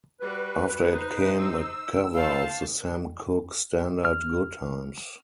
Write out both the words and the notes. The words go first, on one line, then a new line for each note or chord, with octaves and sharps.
After it came a cover of the Sam Cooke standard "Good Times".
G3 F#4 B4
D#4 C5
E6
C5 F5 A5
F6